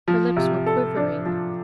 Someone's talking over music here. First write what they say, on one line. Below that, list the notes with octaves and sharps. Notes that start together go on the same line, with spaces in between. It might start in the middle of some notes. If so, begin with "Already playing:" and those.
Her lips were quivering.
F3
C3
A4
D4
F3